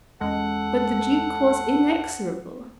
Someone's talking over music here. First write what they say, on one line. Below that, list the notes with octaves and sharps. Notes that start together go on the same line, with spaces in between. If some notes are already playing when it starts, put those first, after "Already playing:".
But the Duke was inexorable.
E2 G#3 C#4 A4 F#5